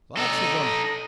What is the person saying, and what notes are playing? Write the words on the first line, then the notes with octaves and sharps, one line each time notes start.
Lots of them.
D#4 A4